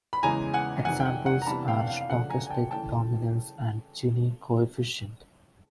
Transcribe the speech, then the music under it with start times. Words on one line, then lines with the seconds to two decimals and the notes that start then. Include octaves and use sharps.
Examples are stochastic dominance and Gini coefficient.
0.13 B5
0.23 E2 C#3 E3 G#3 G#5 A#5
0.54 F#5 G#5
0.85 F2 C3 D#3 F#5 G#5
1.00 G5
1.05 F#5
1.26 F#5
1.42 A#5
1.46 C3 E3 G3 B3 D4 A5 B5
1.68 F5 G5
1.80 F#5
1.88 F5
2.01 F5
2.09 C#3 F3 A3 D4 F#5
2.30 G#5 A#5
2.46 G#5
2.50 G5 A5
2.71 C#3 E3 A3 C#4 G5 A5